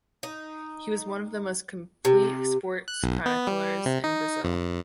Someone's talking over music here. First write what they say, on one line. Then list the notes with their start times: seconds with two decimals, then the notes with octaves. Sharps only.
He was one of the most complete sports chroniclers in Brazil.
0.23 D#4
2.05 C3
2.88 F#6
3.03 B1
3.26 B3
3.47 G3
3.86 C3
4.04 D#4
4.44 F2